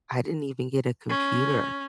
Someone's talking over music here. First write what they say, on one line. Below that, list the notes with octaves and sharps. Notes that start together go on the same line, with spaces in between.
I didn't even get a computer
C#4